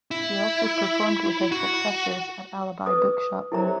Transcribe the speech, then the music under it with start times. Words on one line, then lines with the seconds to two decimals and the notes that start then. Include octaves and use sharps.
She also performed with her successors at Alibi Bookshop.
0.11 E4
1.52 F#4
2.86 B4 D#6
3.52 C3 F#3 E4 A#4 A#5